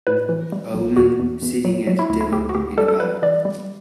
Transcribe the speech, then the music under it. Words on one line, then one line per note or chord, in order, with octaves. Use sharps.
A woman sitting at a table in a bar.
A2 B4
E3
G3
B1
E2 F#4
E2
E2
F#3
F#3
E4
D2 E4
E4
D2 G4
F#4
D2 G4
G3 A4
A4
G3 B4
E3 D5
G3